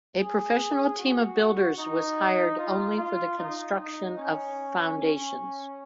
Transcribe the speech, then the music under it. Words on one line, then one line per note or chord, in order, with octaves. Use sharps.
A professional team of builders was hired only for the construction of foundations.
G#4
F#4
D#4
F4
F4
D#4
D#4
C#4
C#4